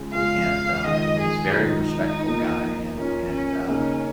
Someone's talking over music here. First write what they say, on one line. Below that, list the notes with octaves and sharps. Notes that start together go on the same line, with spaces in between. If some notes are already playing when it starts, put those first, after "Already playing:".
and, uh, he was very respectful guy and and, uh,
Already playing: C#3 G#3 F4
C#3 G#3 F4 F5
D#3 G#3 F4 D#5
G#4
D#3 G#3 D#4 F4
A#2 A#3 F4
A#2 A#3 C#4 F4
C#4
C#3 A#3 C#4 D#4